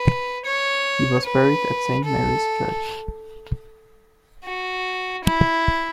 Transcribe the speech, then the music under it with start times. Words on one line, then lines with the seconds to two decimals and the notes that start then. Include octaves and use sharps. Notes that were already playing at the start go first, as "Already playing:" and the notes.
He was buried at Saint Mary's Church.
Already playing: B4
0.46 C#5
1.25 B4
2.04 A4
4.44 F#4
5.25 E4